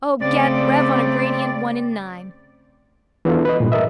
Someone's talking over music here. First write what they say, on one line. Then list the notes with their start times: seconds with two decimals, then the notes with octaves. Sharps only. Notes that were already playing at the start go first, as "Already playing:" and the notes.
O, get, rev on a gradient one in nine.
0.22 C#3 A3 C4 D5
3.25 E3 B3 D4 F4 A4
3.45 B4 D#5
3.60 G2 A#2
3.72 A#4 D#5 E5